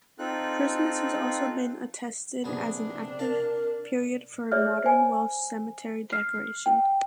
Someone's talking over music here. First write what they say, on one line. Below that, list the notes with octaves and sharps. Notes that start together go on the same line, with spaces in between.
Christmas has also been attested as an active period for modern Welsh cemetery decoration.
C4 D#4 F4 A4 F#6
A#1 C3 B3 D4 G#4
A#4 F5 A5
G#4 C#5 D5 E5 F6
C5 G#5
F6 C7
G5